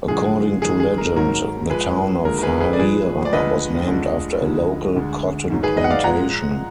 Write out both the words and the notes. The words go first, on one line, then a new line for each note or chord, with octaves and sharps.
According to legend, the town of Hahira was named after a local cotton plantation.
F#2 D3 F3 G#3 G#4
F2 D#3 G#3 G#4
G#4
A#4
G#2 D#3 F#3 A#4
F2 F3 G#3 G#4 B4
D#2 D3 F3 G#3 A#4
A#4
G#4 B4
G#4 B4
D5
F2 F3 G#3 G#4 B4
D5
D2 D3 F3 G#3 B4 D#5
D2 D3 F3 G#3
D2 D3 F3 G#3
D2 D3 G#3
G#2 D#3 F#3
G#4 B4
B4 D#5
F#5
D5 F5
A#2 F3 G#3 F#5 A#5